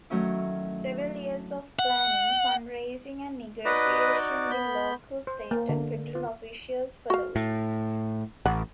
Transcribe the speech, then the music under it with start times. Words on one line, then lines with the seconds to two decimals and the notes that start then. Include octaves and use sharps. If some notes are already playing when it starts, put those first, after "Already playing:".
Several years of planning, fundraising and negotiation with local, state and federal officials followed.
0.10 D#3 F#3 A3 C#4 E4
0.99 D4
1.79 F#5
3.65 D#4 F#4 B4 D5 D#5
4.51 B3 B5 G6
5.27 C5
5.51 A#3
5.69 D3
6.15 F4
7.10 F#4 F5
7.36 A2
8.46 A1 F#5